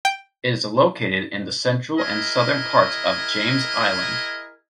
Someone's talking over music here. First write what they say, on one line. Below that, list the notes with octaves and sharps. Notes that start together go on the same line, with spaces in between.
It is located in the central and southern parts of James Island.
G5
E4 G#4 A#4 D#5